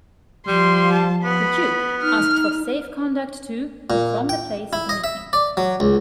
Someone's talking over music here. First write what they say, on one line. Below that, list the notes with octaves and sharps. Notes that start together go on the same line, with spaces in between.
The duke asked for safe-conduct to and from the place of meeting.
F3 G3 C6
A5
B3 B5
D#4 F6
A#2
G5
E4
D#5
E5
D5
F#3
C#2